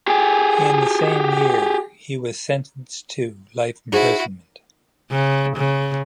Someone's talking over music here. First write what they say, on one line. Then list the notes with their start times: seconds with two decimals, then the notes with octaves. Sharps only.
In the same year he was sentenced to life imprisonment.
0.07 G4 G#4
3.92 D#4 E4 F#4 G#4 C5
5.11 C#3
5.57 C#3